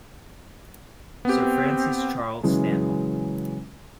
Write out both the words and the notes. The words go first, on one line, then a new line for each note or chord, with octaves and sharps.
Sir Francis Charles Stanhope.
B3 C4 G4
C#3 E3 F#3 G#3